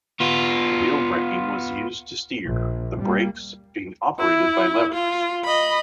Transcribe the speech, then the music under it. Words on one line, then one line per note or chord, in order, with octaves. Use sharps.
Wheel braking was used to steer, the brakes being operated by levers.
B3 F4
A#1
G3 A#3
E4
F4
D#5 B5